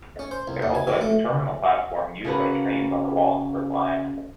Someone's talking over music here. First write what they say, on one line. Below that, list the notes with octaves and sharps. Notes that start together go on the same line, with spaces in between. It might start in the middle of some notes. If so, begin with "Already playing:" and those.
It also has a terminal platform used by trains on the Wallingford line.
C#4
C5
C2
D#2
G#5
E3
A3
C#3 A#3 C#4 F#4 B4 A5